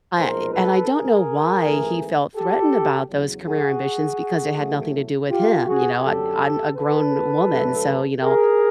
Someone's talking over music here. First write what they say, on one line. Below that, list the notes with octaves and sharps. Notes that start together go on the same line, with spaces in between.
I and I don't know why he felt threatened about those career ambitions, because they had nothing to do with him, you know, I'm I'm a grown woman, so, you know,
B1 A#2 F3 G#3 A#4 C5
A4 B4
G#4 A#4
G#1 G#2 E3 A3
G4 A4
E2 C#3 F#3
F#4 G#4
A1 A2 F#3 A3
F4 G4
F#4 G#4
F#2 D3 F#3 G4 A4
A4 B4
G2 D3 F#3 A3
G#4 A#4